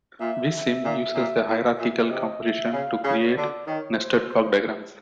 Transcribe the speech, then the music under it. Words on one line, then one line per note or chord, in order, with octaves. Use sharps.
VisSim uses a hierarchical composition to create nested block diagrams.
A#2 E5
E5
A#2
A#2
A2
A#2 E5
C3 D#5
E5
C#3 F5
C#3 C#5
D3 D5
D#3 C#5
C5
C5